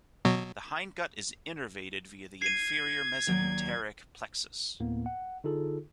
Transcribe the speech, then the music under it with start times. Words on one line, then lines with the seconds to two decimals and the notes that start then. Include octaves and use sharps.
The hindgut is innervated via the inferior mesenteric plexus.
0.25 B2 F#3
2.42 G#6 C7 D#7
3.27 D#2 F#3 D5
4.80 D2 A2 A#3 B3
5.06 F#5
5.44 D3 D#4 F4 G#4 A4